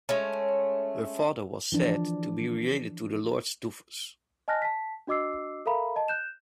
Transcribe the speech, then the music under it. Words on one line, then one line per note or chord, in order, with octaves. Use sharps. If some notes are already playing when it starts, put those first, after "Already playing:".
Her father was said to be related to the Lords Duffus.
G#3 A3 C#4
E3 F3 D4
D#5 G#5 A5 F6 F#6 A#6
A5 B6
D4 F#4 D#5 D6 E6 C7
A4 A#4 E5 F5 A#5 B5
D#5 A5
F#6 G6 E7